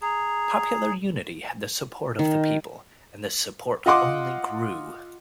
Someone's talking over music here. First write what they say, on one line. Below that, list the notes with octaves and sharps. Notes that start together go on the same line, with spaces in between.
Popular Unity had the support of the people, and this support only grew.
G#4 A#5
D#3
F4 D#5 F#5 C6 D6